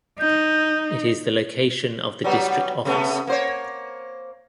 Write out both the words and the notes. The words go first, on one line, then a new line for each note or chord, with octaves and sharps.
It is the location of the district office.
D#4 G6
F#3 G3 B3
C3 A3 B3
A#3 C5 C#5